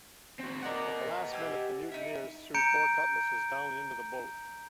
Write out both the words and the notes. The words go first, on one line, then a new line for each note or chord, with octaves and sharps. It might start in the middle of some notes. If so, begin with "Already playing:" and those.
At the last minute the mutineers threw four cutlasses down into the boat.
C4 F#4
A#4 D5 D#5 F#5 G5
G4 G#5 E6
D#4 E4
A#5 G6 C#7 D7